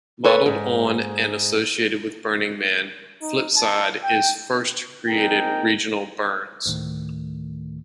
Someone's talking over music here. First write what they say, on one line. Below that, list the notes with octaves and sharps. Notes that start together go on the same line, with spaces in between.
Modeled on and associated with Burning Man, Flipside is First created Regional Burns.
A4 B4 C#5
G#2
D#4
A5
G5
A#1 C4 D#4 G#4 A#4 G5
D2 A2 D#3 A3